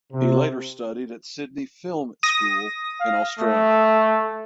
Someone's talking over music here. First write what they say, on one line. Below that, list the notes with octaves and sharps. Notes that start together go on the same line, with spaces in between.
He later studied at Sydney Film School in Australia.
C3
D#6 A#6
F5
A3